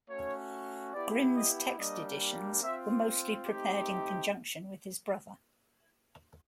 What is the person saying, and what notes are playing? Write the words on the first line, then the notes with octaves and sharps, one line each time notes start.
Grimm's text-editions were mostly prepared in conjunction with his brother.
A3 C#4 F#4 C#5
B3 E4 G4 D5
D#5
G3 A#3 D4 G4 D#5
C4 F4 E5
A3 C4 D#4 G4